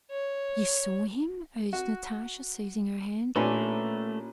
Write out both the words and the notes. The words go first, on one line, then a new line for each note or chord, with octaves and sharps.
"You saw him?" urged Natasha, seizing her hand.
C#5
F#4
A1 A#2 A3 C#4 D4 B4